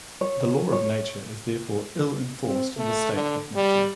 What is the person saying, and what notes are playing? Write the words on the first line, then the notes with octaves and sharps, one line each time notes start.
The law of nature is therefore ill enforced in the state of nature.
C#5
C#5
C4
A3
D3
G3